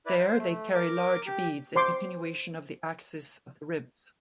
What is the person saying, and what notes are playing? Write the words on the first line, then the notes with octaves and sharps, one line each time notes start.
There they carry large beads in continuation of the axes of the ribs.
E4 B4 D5
C5
A3
A#4 D6
G4
C5 C6 D6